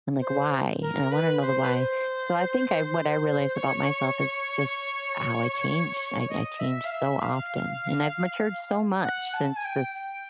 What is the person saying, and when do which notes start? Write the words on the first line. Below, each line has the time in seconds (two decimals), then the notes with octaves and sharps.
I'm like, "Why?" And I wanna know the why. So I think I what I realized about myself is just how I change. I I change so often, and I've matured so much since this
0.21 C5
0.81 A#4
1.11 B4
1.42 C5
1.64 B4
1.73 C5
3.55 C#5
6.30 D#5
6.59 E5
6.85 F5
6.91 E5
7.21 F5
9.03 F#5
9.34 A5
9.56 G#5
9.65 G5
9.95 G5